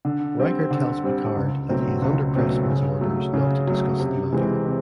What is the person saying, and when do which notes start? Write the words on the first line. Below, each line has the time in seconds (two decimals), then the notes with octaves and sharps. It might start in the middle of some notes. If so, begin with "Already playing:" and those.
Riker tells Picard that he is under Pressman's orders not to discuss the matter.
0.05 D3
0.38 G3 C4
0.71 D3
1.04 G3 C4
1.37 C#2
1.69 B2 F#3 A3 C4
2.02 C#2
2.35 B2 F#3 A3 C4
2.68 C#3
3.01 F#3 A3
3.34 C#3
3.67 F#3 A3
3.99 C3
4.33 E3 G#3 C4
4.66 C3